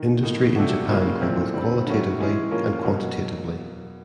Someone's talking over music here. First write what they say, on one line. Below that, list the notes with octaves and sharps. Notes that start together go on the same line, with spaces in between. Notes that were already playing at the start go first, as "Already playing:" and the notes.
Industry in Japan grew both qualitatively and quantitatively.
Already playing: D#3
A2 F3 A#3 D#4
C3 F3 A3 D4 F#4
C#3 F#3 A#3 C#4 F4
A#2 F3 A3 C4 E4
D3 G3 C4
D#3 F#3 A3 C#4 F#4
E3 G#3 C#4 E4 G#4
F3 A#3 C#4 F4 A#4
B2 F#3 A#3